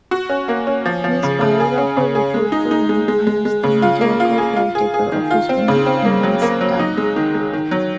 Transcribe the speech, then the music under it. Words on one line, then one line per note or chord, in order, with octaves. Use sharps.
His biographer referred to him as the "mediocre caretaker of his own immense talent".
F#4
C#4
A#3
C#4
F3
F3
C#3
C#3
G#4
C#4
C#3
G#4
G#3
D#4
D#4
G#3
G#3
G#3
G#3
C#3
F4
A#3
F4
G#4
F4
G#4
G#4
D#3
F4
C4
C#3
C4
A#3
F#3
A#3
F#3
D#4
G#3
D#3
G#3
D#3
F#3